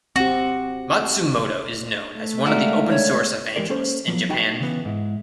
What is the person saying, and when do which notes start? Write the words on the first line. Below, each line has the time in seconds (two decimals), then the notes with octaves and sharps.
Matsumoto is known as one of the open source evangelists in Japan.
0.16 C4 F#4 G4
2.14 A3
2.46 G#3 F#4 A#4 D5 E5 F5
2.90 C#5
3.56 E3 G#3 G4 A#4 D5
3.69 A#3 C#4 A4 C5
4.08 F3 F#3 B3
4.29 D#4 F#4 G5 A5 B5
4.60 C#3 E3 B3
4.85 G#2 E4